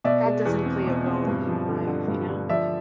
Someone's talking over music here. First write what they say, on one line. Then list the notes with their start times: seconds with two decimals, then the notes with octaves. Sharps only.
that doesn't play a role in your life, you know?
0.04 B2 D5 E5
0.25 G#3
0.45 E2
0.65 C4
0.87 B2
1.06 C4
1.27 G2
1.47 F3
1.68 D3
1.87 D3
2.08 G2
2.29 D3
2.49 F3 D5 E5